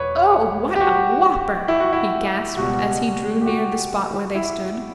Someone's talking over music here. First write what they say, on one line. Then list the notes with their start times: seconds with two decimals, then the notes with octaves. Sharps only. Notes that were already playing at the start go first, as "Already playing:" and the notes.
"Oh! what a whopper!" he gasped, as he drew near the spot where they stood.
Already playing: E1 E2 B4 C#5
0.75 G4
0.80 F#4
1.68 E4
1.80 F#4
1.93 E4
2.57 C#2 B2 G3 F#4
3.41 G4
3.46 F#4
4.35 E4